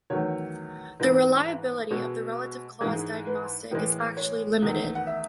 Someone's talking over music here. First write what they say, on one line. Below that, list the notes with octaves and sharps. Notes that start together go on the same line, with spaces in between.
The reliability of the relative clause diagnostic is actually limited.
E2 D#3 F#3 A3 C#5
G#2 E3 G#3 B4
B2 G#3 A4
G#2 E3 G#3 G#4
B4
A2 E3 G#3
C#5
E2 D#3 A3
F#5
E5